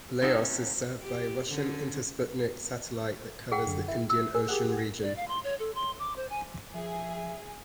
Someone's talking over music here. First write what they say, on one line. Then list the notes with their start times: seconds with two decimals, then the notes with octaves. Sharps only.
Laos is served by a Russian Intersputnik satellite that covers the Indian Ocean region.
0.21 A3 C4 C#4 D#4 F#4
1.01 G4
1.47 D3 C#4
3.52 G#4 F#5 G5
3.67 F#2 D3
3.88 E4
4.10 E6
4.35 G#4 A#4
4.48 G4 G#4 F#5
5.02 D5
5.16 F5
5.28 C6
5.43 C#5
5.59 A4
5.75 C6
5.99 D6
6.16 C5
6.30 G#5
6.74 F3 G#4 E5